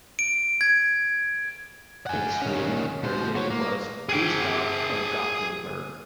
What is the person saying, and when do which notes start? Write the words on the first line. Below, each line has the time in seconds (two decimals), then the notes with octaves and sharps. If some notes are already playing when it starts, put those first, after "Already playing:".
In Sweden her name was "Gustav of Gothenburg".
0.19 D7
0.61 G#6
2.06 F#5 G#5
2.42 D#3 C#4
3.03 B2 C5
3.35 F#4 C#5
3.50 A#3
4.09 G#4 G5